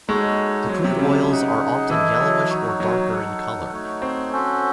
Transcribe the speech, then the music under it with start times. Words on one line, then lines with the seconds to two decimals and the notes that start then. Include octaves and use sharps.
The crude oils are often yellowish or darker in colour.
0.08 G#3 D#4 F#4 A4 C#5
0.69 F#3 C4 E4 C5
0.84 C3
0.99 C#3
1.29 D#4 G#4 D#5 F#5
1.90 E3 E4 A4 D#5
2.20 F#3
2.50 D#4 F#4 C#5
2.80 F#3
3.11 D#4 A4 C#5 F#5
3.72 A3 D#4 F#4 C#5
4.02 C4
4.32 C#4 F#4 A4 C5